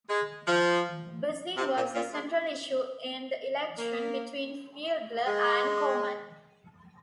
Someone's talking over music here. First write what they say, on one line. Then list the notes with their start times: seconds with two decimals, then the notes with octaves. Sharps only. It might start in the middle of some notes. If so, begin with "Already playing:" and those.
Busing was the central issue in the election between Fiedler and Corman.
0.09 G#3
0.46 F3
1.57 C3
1.75 A#2
1.94 A#2
2.12 G#3
3.78 A#3
5.26 G#3